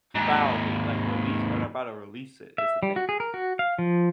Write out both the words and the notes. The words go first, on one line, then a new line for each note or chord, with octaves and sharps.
found it, like, release or about to release it, is the thing.
D#2 G#2
E5
G3
F#4
G#4
A#4
F#4
F5
F3